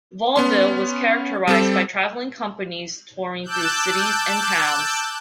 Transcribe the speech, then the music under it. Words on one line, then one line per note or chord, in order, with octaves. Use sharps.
Vaudeville was characterized by traveling companies touring through cities and towns.
B3 C#4 C6
G3 C4 A4
A5 D6 E6 F#6 G6